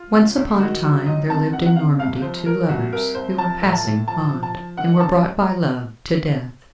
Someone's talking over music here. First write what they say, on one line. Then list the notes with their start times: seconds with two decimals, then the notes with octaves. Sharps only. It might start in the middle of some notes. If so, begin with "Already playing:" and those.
Once upon a time there lived in Normandy two lovers, who were passing fond, and were brought by Love to Death.
Already playing: F4
0.13 C#2
0.36 C#2
0.59 D#3 F#4
0.83 F#3 F#4
1.06 C#2 D#5
1.29 C3 A5
1.52 D#3 F#5
1.66 F#5
1.76 C3 F5
1.98 C2 F5
2.22 F3 C5
2.46 F3 A#4
2.69 C2 F#4
2.92 C2 A#4
3.15 C2 C5
3.38 F3 A5
3.62 A2
3.73 A5
3.85 A2
4.08 F3 A5
4.32 F3
4.43 A5
4.55 F3
4.77 D#3 F#5
5.00 F#2 A5